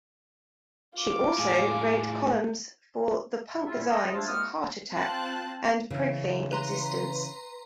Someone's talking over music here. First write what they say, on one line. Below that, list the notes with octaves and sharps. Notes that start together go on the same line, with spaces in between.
She also wrote columns for the punk zines Heartattack and Profane Existence.
F4 D6
A2 G#4
E4 F4 E5
A#2 C#4 E4
D#5
F3 A3 D4 E4 F4 C5
C2 G#3 A#3 F#4 D#6 F6
C4 F4 A5 F#6
C#3 E3
B4 A#5 C6